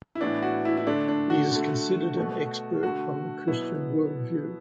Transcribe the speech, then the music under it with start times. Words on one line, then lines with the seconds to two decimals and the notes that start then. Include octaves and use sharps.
He is considered an expert on the Christian Worldview.
0.15 E4
0.20 A2 E3 B3 D4
0.42 F#4
0.65 E4
0.77 E4
0.87 D3 A3 D4
1.08 D4
1.30 F#4
1.51 D3 A3
2.17 B2 A3
2.83 D3 A3 F#4
3.48 B2 F#3 B3 E4